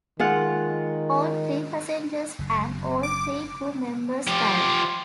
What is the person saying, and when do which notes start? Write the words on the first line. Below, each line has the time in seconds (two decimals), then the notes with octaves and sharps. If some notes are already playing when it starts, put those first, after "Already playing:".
All three passengers and all three crew members died.
0.20 D#3 G#3 F4 F#5
2.39 F#1 F#2 C#3
3.03 D6
4.27 F3 G4